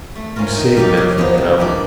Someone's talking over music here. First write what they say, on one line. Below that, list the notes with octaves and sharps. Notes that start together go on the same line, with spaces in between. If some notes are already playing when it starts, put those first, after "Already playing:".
You saved men from drowning.
A3
C#4 F4 A#4
D#3
G3 A#3 D#4 G4
C#3
F3 G#3 B3
C3
E3 G3 A#3 D4